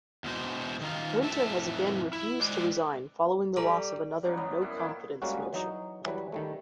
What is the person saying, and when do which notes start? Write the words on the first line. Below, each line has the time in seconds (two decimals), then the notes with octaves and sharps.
Winter has again refused to resign following the loss of another "no-confidence" motion.
0.24 E2 B2 G#3 C5
0.81 D#3 D#4 F4
1.22 F2 A2 E4 E5 A5
2.13 E4
2.40 G#3 B4 C5 D5
3.56 G3 G#4 A4 A#5
4.23 G#2 C#3 F#3 G3
4.37 G3 B3
4.62 F#2 B3 E4
4.76 G#2 D#3 A#3 E4
5.22 G3 G#3 A#3 C#4 F#4
5.53 E3 F#3 D#4
6.06 E3 F#3 G3 B4
6.32 D#3 G3 A3